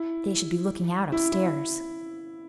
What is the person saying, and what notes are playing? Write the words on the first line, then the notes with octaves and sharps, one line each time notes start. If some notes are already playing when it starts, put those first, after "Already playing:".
"If they should be looking out upstairs!"
Already playing: E4
E4
E4